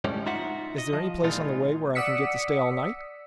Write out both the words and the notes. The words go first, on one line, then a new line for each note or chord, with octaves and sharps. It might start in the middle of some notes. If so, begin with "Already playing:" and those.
"Is there any place on the way where I can get to stay all night?"
A2 G3 G#3 C#4
D#4 F4 F#4 E5 F#5
D#5
F3
A#2 E3 G#3 D#4 F4
D5 F#5 D#6 E6 B6 C#7